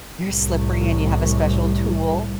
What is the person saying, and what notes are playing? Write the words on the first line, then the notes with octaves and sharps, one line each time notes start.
they're slippery and you have a special tool.
C2 A2